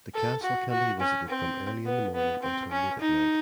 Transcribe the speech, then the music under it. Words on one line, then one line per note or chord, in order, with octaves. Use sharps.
The castle can be visited from early in the morning until late at night.
A4
F#4
F#4
C#4
C4
B3
B3
C4
C#4
D#4